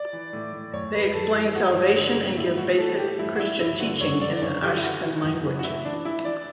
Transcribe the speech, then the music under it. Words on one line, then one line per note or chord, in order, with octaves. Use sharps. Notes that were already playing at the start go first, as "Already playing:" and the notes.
They explain salvation and give basic Christian teaching in the Ashkun language.
Already playing: D5
E3
A2
A2
F#2 C#5
F#2 B4
F#2 A4
E3
G2 F#4
G2
D3
G2
A2 E4
E3 F#4
E3 A4
A2 G4
G2 E4
F#4
G2 E4
G2 E4
D3 F#4
F#2 C#5
D3 D5
D5
F#2 C#5
D3 G4
F#4
E4
E3 F#4
E3
F#2
E3
F#4
A2 E4
E3 D4
E3 E4
E3 D5